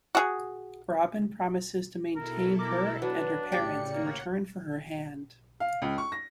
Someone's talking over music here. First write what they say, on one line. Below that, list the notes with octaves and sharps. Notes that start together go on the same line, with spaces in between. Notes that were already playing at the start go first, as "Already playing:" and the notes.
Robin promises to maintain her and her parents in return for her hand.
F#4 G#4
B2 E4 A4 A#4
A#4 D6
F#3 D4 B4
A2 C#3 G4 D5 G5 C#7
A#3 C#5 F#5
F5
C#2
C#6
A#6